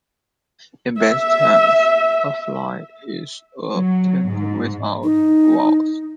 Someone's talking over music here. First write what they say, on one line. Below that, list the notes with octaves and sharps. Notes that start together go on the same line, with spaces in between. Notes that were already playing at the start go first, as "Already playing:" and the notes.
In basic terms, a fly is a tent without walls.
E5
F#3
G#2
D#4